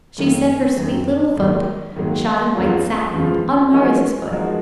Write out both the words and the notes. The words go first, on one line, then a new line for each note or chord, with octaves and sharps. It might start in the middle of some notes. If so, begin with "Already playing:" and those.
She set her sweet little foot, shod in white satin, on Marius' foot.
F#2 D#3 A#3
F#2 D#3 A#3
G#2 D#3 F#3 A#3
G#2 D#3 F#3 A#3
C#2 C#3 F3 B3 F4
C#2 C#3 F3 B3 F4
F3 G#3 D#4 F#4 A#4
F3 G#3 D#4 F#4 A#4